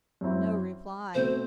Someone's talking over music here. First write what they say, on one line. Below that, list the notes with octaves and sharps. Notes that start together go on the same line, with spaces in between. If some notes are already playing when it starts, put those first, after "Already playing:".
No reply.
F#2 F#3 C4 E4
B2 A3 C4 C5